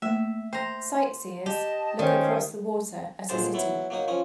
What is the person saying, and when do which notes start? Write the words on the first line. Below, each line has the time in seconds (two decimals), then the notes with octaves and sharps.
Sightseers look across the water at a city.
0.02 A3 A#3 E5
0.53 C5 G5 A#5
1.46 G4 D#5 A5
1.99 D#3 C#4 C5 D5 G5
3.29 A#1 D#2 D3 G#4 C5 A5
3.54 F#3 B3 E4
3.90 F#3 A#3 D#4 D#6
4.08 F3 C#4 D#6